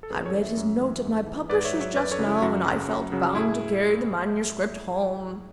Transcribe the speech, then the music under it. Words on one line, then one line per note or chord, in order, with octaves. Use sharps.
I read his note at my publisher's just now, and I felt bound to carry the manuscript home.
A4
F#2 G#4 B4
A4 C#5
E3
C#5 E5
F#2
E3
G#2
E3
G#2 B4 D5
C#5 E5
F#3
C#5 E5
F#2 B4 D5
A4 C#5
C#3 F#3
E4
F#2 F#4
C#3 F#3
F#2
C#3 F#3
A2 E4 G#4